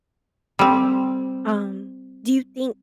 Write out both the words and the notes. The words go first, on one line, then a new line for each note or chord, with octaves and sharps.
Um, do you think
G3 C4